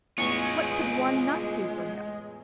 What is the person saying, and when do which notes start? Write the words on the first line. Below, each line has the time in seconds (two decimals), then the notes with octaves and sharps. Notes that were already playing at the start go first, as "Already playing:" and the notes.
What could one nut do for him?
0.18 E2 A2 G#3 F4 G#4 C#6